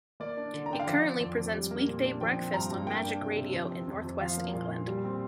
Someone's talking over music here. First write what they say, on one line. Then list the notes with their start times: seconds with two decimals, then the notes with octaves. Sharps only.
He currently presents weekday breakfast on Magic Radio in North West England.
0.20 A#3 D5
0.37 D4
0.54 D3
0.66 A#5
0.70 D3 G5
0.80 F5
0.87 F3 D5
1.04 C4
1.20 F2
1.38 F2
1.53 G3
1.71 A#3
1.87 A#2
2.04 D4
2.21 F3 G5
2.38 C4
2.54 G2 A#5
2.71 G2
2.87 A#3 G5
3.04 D4
3.21 C3
3.37 C3
3.54 F3
3.71 C4
3.88 F2
4.04 F2
4.21 F3 F5
4.37 A#3
4.54 A#2
4.70 A#2
4.87 G3
5.05 C4